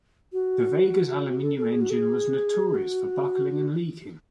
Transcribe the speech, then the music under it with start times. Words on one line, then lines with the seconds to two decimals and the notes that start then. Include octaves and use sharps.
The Vega's aluminum engine was notorious for buckling and leaking.
0.33 F#4
1.43 A4
1.58 A4
1.72 G#4
1.81 F#4
1.90 A4
1.93 G#4
2.75 F#4